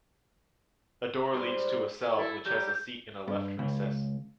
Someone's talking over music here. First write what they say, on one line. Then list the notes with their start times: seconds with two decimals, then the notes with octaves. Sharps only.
A door leads to a cell, which has a seat in a left recess.
1.33 G#2 G3 C5
2.15 G#2 E4 A4
2.45 F#3 G3 G4 G6
3.28 G2
3.59 C#2